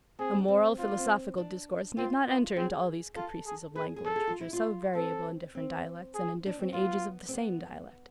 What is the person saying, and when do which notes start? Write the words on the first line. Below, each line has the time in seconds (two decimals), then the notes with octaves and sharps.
A moral, philosophical discourse needs not enter into all these caprices of language, which are so variable in different dialects, and in different ages of the same dialect.
0.19 C4 G#4
0.38 D4
0.48 C4
0.78 C4 F4
0.88 B3
0.98 C4
1.37 D4
1.97 C4 F4
2.27 B3
2.56 C4 G#4
3.16 F4 A4
3.46 G#4
3.76 G#4 B4
3.96 G#4
4.05 A4
4.16 G#4
4.27 F4
4.41 E4
4.53 F4
4.95 C4 A4
5.55 C4
6.14 G#4
6.46 D4
6.59 C4
6.73 B3 F4
7.28 C4
7.33 B3